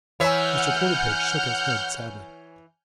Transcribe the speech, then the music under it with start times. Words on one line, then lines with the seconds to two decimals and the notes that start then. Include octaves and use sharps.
Mr. Quarterpage shook his head sadly.
0.20 E3 C#5 E5 F#5 G#5 F6 G6